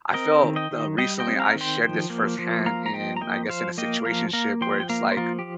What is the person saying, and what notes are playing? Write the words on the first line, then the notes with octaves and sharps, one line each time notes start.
I felt, uh, recently, I shared this firsthand in, I guess, in a situationship where it's like
C4 A#4 D#5
D#3
D#5 G5
D#3
G3 D#5 G5
D#5 G5
C4
F5 A#5
D#3
G5 C6
F3
A#3
F3
A#3 F5 A#5
A#5
F3 D#5 G5
A#5
A#3 D#5 G5
F3 C5 F5
A#3 D#5 G5
F3 F5 A#5
A#3 F5 A#5
F3 G5 C6
G5
A#3 F5 A#5
C5
F3 F4 A#4
G4